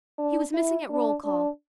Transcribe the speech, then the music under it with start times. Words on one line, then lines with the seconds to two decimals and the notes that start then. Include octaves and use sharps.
He was missing at roll-call.
0.19 D4
0.54 E4
0.90 D4
1.24 D4